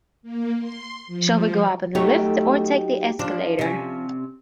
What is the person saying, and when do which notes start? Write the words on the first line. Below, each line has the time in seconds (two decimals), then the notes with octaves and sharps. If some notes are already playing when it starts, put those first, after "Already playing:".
Shall we go up in the lift, or take the escalator?
0.23 A#3
0.59 C6
1.07 F3
1.95 F#3 A3 D#4 G4 C#5
3.19 F3 D4
3.59 C3 C#4